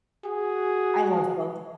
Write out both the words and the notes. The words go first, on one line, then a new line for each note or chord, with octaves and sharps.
I love both.
F#4 G#4